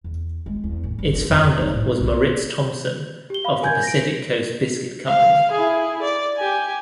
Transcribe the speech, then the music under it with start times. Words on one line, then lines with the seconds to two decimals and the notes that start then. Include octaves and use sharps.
Its founder was Moritz Thomsen of the Pacific Coast Biscuit Company.
0.04 E2
0.46 G#3
0.64 E2
0.84 A2
0.99 G1
1.13 D4
1.30 F2
1.46 E2
1.61 D#4
1.74 A2
2.01 B1
3.30 G4 G7
3.45 F5 B5
3.62 A#4 G#5 G6 G#6
3.83 A#6 D7
5.07 F5
5.51 E4 G#4
6.02 D5
6.37 G4 G#5